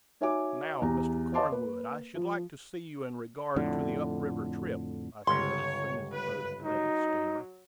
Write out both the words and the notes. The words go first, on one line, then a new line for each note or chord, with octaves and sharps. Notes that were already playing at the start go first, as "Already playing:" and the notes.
"Now, Mr. Cornwood, I should like to see you in regard to the up-river trip," I said, as soon as the boat had left the steamer.
D#4 F#4 C#5 E5 G#5 D6
E2 G4 A#5
C#5 D#5 F5 A5 C6 D6
A#3 B4
F3
F2 A2 D3
G1 C#2 C#5 C6
B4
F#3 D#4